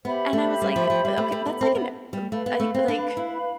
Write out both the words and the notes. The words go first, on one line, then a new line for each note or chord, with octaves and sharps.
And I was like, "Eh, okay, that's like an, um, I like,
B3 G4 C5 E5 B5
A3
G3
F3
F3
G3
A3
A3
B3
C4
B3
G3
A3 B4 F5 B5
B3
A3
C4
D4
E4